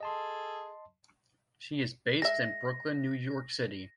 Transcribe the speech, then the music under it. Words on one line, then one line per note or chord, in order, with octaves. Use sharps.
She is based in Brooklyn, New York City.
G#4 A4 D#5 A5 C6
G#3 E5 A#6